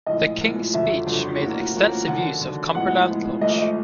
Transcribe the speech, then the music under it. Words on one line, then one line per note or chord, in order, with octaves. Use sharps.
"The King's Speech" made extensive use of Cumberland Lodge.
A#1 A2 F3 G#3 D#5
A#1 A2 F3 G#3
G1 F2 D3 F#3 E5
G1 F2 D3 F#3
A2 F3 A#3 C#4 F#4
A2 F3 A#3 C#4 F#4
D#2 D3 F#3 F#5
D#2 D3 F#3
A2 F3 G#3 B3 F#5
A2 F3 G#3 B3
G#1 G#2 F3 A3 D#5
D#5